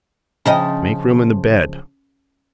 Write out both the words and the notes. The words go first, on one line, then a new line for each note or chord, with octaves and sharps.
Make room in the bed.
C#3 F3 C#4 D#5 E5 G5